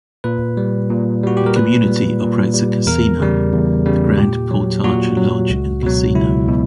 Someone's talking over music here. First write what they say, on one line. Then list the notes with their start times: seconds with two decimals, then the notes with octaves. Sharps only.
The community operates a casino, the Grand Portage Lodge and Casino.
0.24 A#2 B4
0.57 G3
0.90 A#2
1.23 G3 F#4
1.37 G4
1.46 A#4
1.56 A#2 B4
1.88 G3
2.21 A#2
2.54 G3
2.86 E2 A#4
3.20 C#3 G3
3.53 E2
3.86 C#3 G3
4.18 A#2 G4
4.51 F#3
4.84 A#2 F#4
5.17 F#3
5.50 C#2
5.82 B2 F#3
6.15 C#2 E4
6.48 B2